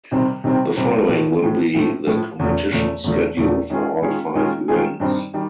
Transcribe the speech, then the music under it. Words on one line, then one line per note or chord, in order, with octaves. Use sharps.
The following will be the competition schedule for all five events.
C3 D#3 G3 C4
C3 D#3 G3 C4
C3 D#3 G3 C4
A2 F3 A3
A2 F3 A3
A2 F3 A3
A2 F3 A3
E2 C#3 F3 A3
E2 C#3 F3 A3
E2 C#3 F3 A3
E2 C#3 F3 A3
D#3 G#3 C#4 F4 G#4
D#3 G#3 C#4 F4 G#4
D#3 G#3 C#4 F4 G#4
D#3 G#3 C#4 F4 G#4
G2 D#3 G3 C4 D#4
D#3 G3